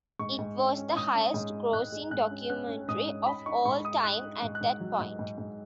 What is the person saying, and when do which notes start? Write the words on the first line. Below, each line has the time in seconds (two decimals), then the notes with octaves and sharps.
It was the highest-grossing documentary of all time at that point.
0.19 G#2 C#6
0.39 G#2
0.58 C#4
0.77 C#4
0.96 G#2 D#6
1.15 C#4
1.34 G#2
1.54 C#4
1.73 G#2 F#6
1.92 G#3
2.11 G#2 F#6
2.31 C#4
2.50 C#4 F#6
2.69 C#4
2.89 G#2 D#6
3.07 C#4
3.27 D#4 B5
3.46 D#4 C#6
3.65 G#2 C#6
3.84 D#4 D#6
4.04 D#4 F#6
4.23 D#4
4.42 G#2
4.55 F#6
4.61 G#2
4.80 F#3
4.99 G#2
5.19 G#2
5.38 G#2